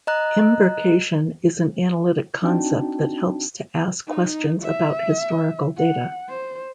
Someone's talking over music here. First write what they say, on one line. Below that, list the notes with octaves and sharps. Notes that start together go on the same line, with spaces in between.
"Imbrication" is an analytic concept that helps to ask questions about historical data.
D#5 A#5 F#6
C4 D4 D#4 F#4 G5 A5
D#4
E5
F#5
C5